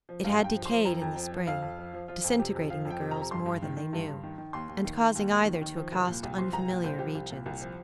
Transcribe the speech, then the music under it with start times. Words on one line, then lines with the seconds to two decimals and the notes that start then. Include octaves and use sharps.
It had decayed in the spring, disintegrating the girls more than they knew, and causing either to accost unfamiliar regions.
0.09 F3
0.24 G2 F5
0.40 G2 G5
0.55 F3
0.66 F3 C6
0.85 F2 A#5
1.01 F2
1.16 F3 G5
1.32 F3
1.47 F2 F5
1.62 F2
1.78 F3
1.94 F3
2.08 F3 F4
2.24 F2
2.39 C3 G4
2.55 F2
2.70 F3 F5
2.85 F2
2.90 G5
3.01 C3
3.11 A#5
3.16 F2
3.22 A#5
3.31 G2 C6
3.46 G2
3.62 D#3
3.77 D#3
3.93 G2
4.08 G2
4.23 D#3
4.38 D#3
4.53 D#2 C6
4.69 D#2
4.85 D#3
5.00 D#3
5.15 D#2
5.31 D#2
5.45 D#3
5.61 D#3
5.76 F3
5.92 C2
6.07 A#2
6.23 C2
6.38 F3 C6
6.53 C2 A#5
6.68 A#2 G5
6.84 C2 C5
6.99 F3 G4
7.15 C2
7.30 A#2
7.46 C2
7.61 F3